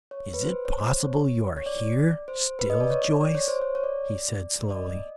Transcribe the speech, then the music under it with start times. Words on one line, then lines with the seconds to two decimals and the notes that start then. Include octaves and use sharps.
"Is it possible you are here still, Joyce?" he said slowly.
0.11 C#5
0.34 B4
0.43 C5
0.65 C#5
0.73 C5
1.04 C#5
1.57 C#5
1.66 D5
2.28 C5
2.59 B4
2.70 D#5
2.80 D5
2.90 C#5
3.21 D5
3.35 C#5
3.48 C5
3.62 C#5
3.75 C#5
3.84 D5
4.71 D5
4.76 D#5